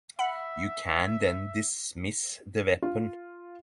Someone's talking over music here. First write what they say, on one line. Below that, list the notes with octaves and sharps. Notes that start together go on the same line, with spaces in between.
You can then dismiss the weapon.
E5 F#5 B5
F4